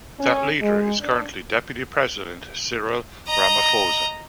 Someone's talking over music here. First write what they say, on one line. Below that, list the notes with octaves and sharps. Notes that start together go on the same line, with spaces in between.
That leader is currently Deputy President Cyril Ramaphosa.
C#4
G#3
D4
D#5 A#5